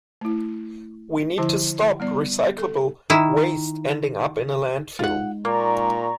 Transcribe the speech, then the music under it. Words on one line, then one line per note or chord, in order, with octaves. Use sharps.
We need to stop recyclable waste ending up in a landfill.
A3 E4
D3 F3 E4 A5
G3 B3 D5
A4
D#3 E4
G#3 D#4 F4 F#5
A#2 A#3 D5 A#5 C#6